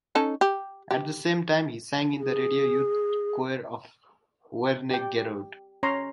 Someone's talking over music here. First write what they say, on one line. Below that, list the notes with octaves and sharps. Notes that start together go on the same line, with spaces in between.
At the same time he sang in the radio youth choir of Wernigerode.
C#4 D#4 A4
G4
G4
G#4
G4 G5
C#4 C#5 A#5 C6